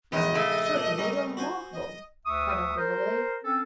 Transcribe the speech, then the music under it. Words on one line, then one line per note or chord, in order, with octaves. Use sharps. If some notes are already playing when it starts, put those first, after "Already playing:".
"This is certainly remarkable!" cried Uncle Wiggily.
A#1 E2 G#2 D#5 G5
C#3 A3
A#2 D4
G3 C#4 A#4
F#4 C5 G#5
D#5
D2 E5 C#6 D#6
A#4 C5
C4 C#4 A4